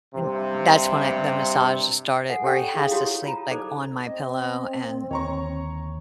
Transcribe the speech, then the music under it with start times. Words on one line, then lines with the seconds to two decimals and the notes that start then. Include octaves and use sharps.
And that's when I the massages started, where he has to sleep like on my pillow and,
0.14 G2 C3
2.30 A4 F#5 G#5
2.44 C#4 G4 A4 C#5 D5 G5
2.74 D#4 G#4 A4 F5
2.91 E4 F#4 G4 C#5 C6 D#6
3.24 F4 A5 A#5
3.51 D#4 A4 C5 D5 D6
4.05 C4 D#5
5.11 D#2 D3 C#5 A#5 C#6